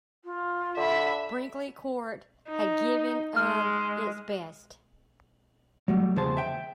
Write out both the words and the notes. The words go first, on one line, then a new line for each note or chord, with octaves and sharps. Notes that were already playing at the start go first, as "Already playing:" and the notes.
Brinkley Court had given of its best.
F4
D3 E5 B5
D#4
G#3 F6
F#3 G3 A3
E2 C#3 F3 G#4 C5 A5
E5 G5